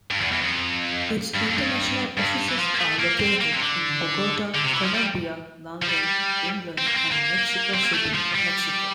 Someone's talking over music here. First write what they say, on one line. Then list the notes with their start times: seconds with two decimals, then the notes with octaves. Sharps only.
Its international offices are located in Bogota, Colombia, London, England and Mexico City, Mexico.
0.10 G2
0.21 E2
0.32 E2
0.42 F2
1.34 G2
1.46 F2
1.57 G2
2.17 G2
2.48 E3
2.59 F3
2.74 A#3
2.79 A3
3.00 A#3
3.20 C4
3.41 A#3
3.53 C3
3.61 D3
4.55 D3
4.64 C3
4.74 E3
4.85 F3
4.95 G3
5.82 F3
5.87 G3
6.78 C4
6.86 A#3
6.95 C4
7.11 A#3
7.74 C4
7.83 A#3
7.93 A3
8.14 F3
8.35 G3